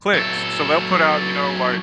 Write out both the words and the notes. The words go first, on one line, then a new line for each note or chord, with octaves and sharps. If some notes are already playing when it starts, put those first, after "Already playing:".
clicks, so, they'll put out, you know, like,
F#3 A4